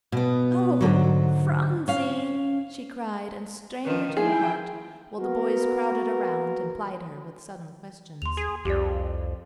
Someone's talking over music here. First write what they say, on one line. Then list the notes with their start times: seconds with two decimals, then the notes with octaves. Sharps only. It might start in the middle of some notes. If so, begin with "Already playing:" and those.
"Oh, Phronsie!" she cried, and strained her to her heart; while the boys crowded around, and plied her with sudden questions.
0.12 B2 B3
0.81 G#2 D3 F#3
1.88 C#4 F5
3.85 D#3 F3 C#4 B4
4.17 F3 D#4 E4 G#4 E5 G5 G#5
5.19 A#3 B3 F#4 A#4
8.22 D#2 C6 F7
8.37 G#4
8.65 C2 F2 G4 D5